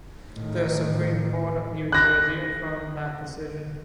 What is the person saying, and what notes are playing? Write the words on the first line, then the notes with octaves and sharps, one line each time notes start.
The Supreme Court of New Jersey affirmed that decision.
A2 D#3
F#6 A#6